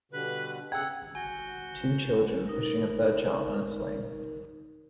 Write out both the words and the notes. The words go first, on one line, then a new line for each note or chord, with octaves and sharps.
Two children pushing a third child on a swing.
B2 D3 G3 B4
C#3 G#4 A4 F#5 G5 E6 G#6
F#4 G#5 G6
D#4 A#4